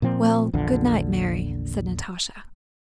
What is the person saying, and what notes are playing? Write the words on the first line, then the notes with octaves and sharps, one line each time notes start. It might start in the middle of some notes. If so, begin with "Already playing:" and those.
"Well, good night, Mary!" said Natasha.
A#2 F3 C4
A#1 E2 D3